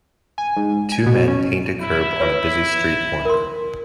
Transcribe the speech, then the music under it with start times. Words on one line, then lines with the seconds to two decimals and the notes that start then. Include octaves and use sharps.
Two men paint a curb on a busy street corner.
0.38 G#5
0.57 G#2
0.92 G#5
1.06 B2
1.28 C#4
1.81 E4
2.20 F4 B4 C#5
3.25 A#4 C6